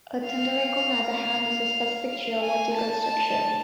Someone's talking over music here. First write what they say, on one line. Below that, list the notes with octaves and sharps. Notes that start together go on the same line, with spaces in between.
A thunderegg on the other hand is a specific geological structure.
F5
F5
G#5
A5
A5